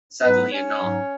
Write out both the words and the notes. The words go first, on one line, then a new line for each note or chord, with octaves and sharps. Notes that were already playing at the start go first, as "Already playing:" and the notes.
Suddenly, a knock.
G#2 F#3 B3 B4
C#4 C#5
G#2 F#3